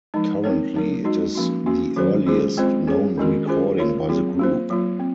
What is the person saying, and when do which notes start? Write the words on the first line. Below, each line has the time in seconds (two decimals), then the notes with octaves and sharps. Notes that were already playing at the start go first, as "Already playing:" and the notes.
Currently, it is the earliest known recording by the group.
0.14 F3 G#3 D#4
0.44 C4 D#4 A#4 C#5
0.74 F#3 A#3 D#4 A#4
1.05 G#3 D#4 F#4
1.35 F3 A#3 C#4 F#4
1.66 A#3 C#4 F#4
1.96 D#3 F#3 C#4 F#4 C5
2.27 G#3 C#4 F4 G#4 C5
2.57 G#3 C4 F4 C5
2.88 C#4 G#4 C#5
3.18 D#3 G#3 C#4 F#4 A#4
3.47 C#4 F4 G#4 C5
3.78 A#3 F4 A#4 C#5
4.09 F#3 C4 F4 G#4
4.39 A#3 F4 C5
4.70 F#3 A#3 F4
5.00 C4